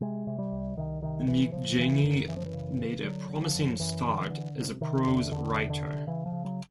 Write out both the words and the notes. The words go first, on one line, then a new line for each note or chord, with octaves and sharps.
Migjeni made a promising start as a prose writer.
C3 G#3
C3
G3
C2
C2 D#3
C3 D#3
C3 E3
C#3 F3
C#3 E3
F#2 D#3
F#2 E3
F3
E3
C#3
C#3
D3 F#3
D3
F3
F#2
F#2 E3
D3
D3
C3
C3 D#3
E2 D3
E2 D3
C3
D3
C3
C#3 E3
F3
C#3
F#3